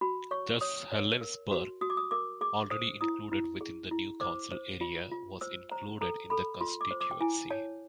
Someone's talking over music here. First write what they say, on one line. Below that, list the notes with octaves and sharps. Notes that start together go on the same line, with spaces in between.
Thus Helensburgh, already included within the new council area, was included in the constituency.
F#4 B5
C#5 C#6
C#5 D#6
C#5
A#4
F#4
F#4 D#6
D6
D#6
A#4 D6
G#4 D6
C5 D#6
E4 D#6
E4
G#4
E4
C5 D6
C5
F4
F4
C5 E6
C5 A#5
A4 A#5
A4 B5
F4 C6
D6
C5
D6
G5
E4 G#5
C#5 A5